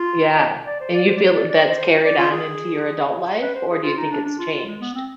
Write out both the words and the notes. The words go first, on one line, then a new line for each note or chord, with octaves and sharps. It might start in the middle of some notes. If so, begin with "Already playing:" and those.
Yeah. And you feel that that's carried on into your adult life, or do you think it's changed?
Already playing: F4
D5
C5
D5
C5
D5
C5
D5
D5
C5
C5
D5
F4
G#4
B4
C5
G#4
F4
D#4
D4
D4
F4
F4
G#3
B3
C4